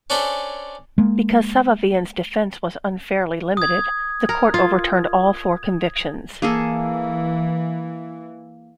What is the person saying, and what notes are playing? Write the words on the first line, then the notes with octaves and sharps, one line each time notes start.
Because Safavian's defense was unfairly limited, the court overturned all four convictions.
C#4 D4 G#4 A4 C5 E5
G#3 A#3
D#6 G#6
A#4
F4
E3 A#3 G#4 A4